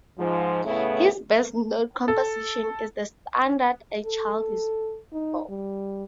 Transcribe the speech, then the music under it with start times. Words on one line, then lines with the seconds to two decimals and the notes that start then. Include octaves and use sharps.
His best-known composition is the standard "A Child Is Born".
0.18 G#2 F3
0.65 A2 C#3 A3 B3 E4
2.08 A4
4.06 A4
5.12 D#4
5.50 G3